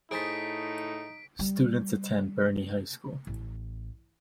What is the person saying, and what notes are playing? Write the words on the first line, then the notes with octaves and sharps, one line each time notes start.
Students attend Bernie High School.
A2 D#4 G#4 C5 A5 B6 D7
G3
A1